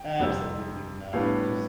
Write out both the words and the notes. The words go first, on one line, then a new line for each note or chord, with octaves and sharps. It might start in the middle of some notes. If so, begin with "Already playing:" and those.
Absolutely not, just
Already playing: G5
F2 C3 G3 C4
A2 G3 B3 D4 F5